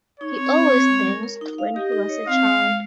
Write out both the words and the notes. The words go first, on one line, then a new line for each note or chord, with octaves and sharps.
He always danced when he was a child.
D#4 C#5
C4
C4
C4
G#3
A#4
A#4
D#4
F5
G4 D#5
D#4
C#5
C4 F5
G#3
G#3